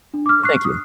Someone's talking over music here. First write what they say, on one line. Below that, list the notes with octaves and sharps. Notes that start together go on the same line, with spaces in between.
Well, thank you.
D4
D6 F6
C#6 F#6 C7
D#6